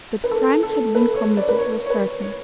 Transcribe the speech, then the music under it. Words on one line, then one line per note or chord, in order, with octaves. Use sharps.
That crime had been committed was certain.
B4
A4
A4
B4
C#5
D5
B4
C#5
C#5
B4
C#5